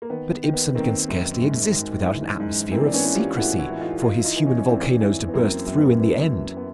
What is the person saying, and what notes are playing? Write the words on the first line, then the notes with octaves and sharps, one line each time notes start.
But Ibsen can scarcely exist without an atmosphere of secrecy for his human volcanoes to burst through in the end.
A#3
D#3 B3
B3
D#3
B3
D#3 A#3 C4
F#2
G#2
G#2
E3
G#2
E3 A#3 C4
D4
B3 C#4
E3
F4 G4
A2 E4 F#4
E4 F#4
E3
D#4 F4
E3 D#4 F4
E4
D#4 F4
E3
C#4 D#4
C#4
E3 C4 D4
E3
B3
F#2 A#3 C4
F#2 C4
B3
A#3
F#2 B3
F#2
B3